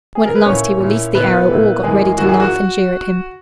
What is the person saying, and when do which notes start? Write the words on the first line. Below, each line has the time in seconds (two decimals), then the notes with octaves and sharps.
When at last he released the arrow all got ready to laugh and jeer at him.
0.15 G#4
0.26 A#4
0.35 B4
0.45 A#2 A#3 C#4 E4 C#5
0.80 A#2 A#3 E4
1.14 A#2 A#3 B3 E4 B4
1.49 A#2 A#3 E4
1.83 F#2 E3 G#3 A#3 G#4
2.18 F#2 E3 A#3 F#4
2.29 G#4
2.40 F#4